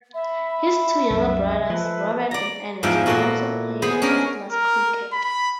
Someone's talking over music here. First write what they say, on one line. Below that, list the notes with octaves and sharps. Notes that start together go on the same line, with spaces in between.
His two younger brothers, Robert and Ernest, also played first-class cricket.
E5 B5
C2 F#2 F#3
F3 A4 B4
D5 A#5
E2 G#2 F3 E4 E5 G5
A#2 F#4 A4 E5 C6
B3 G#4 C5 B5
C#4 D4 G#4 A#4
A#4
B5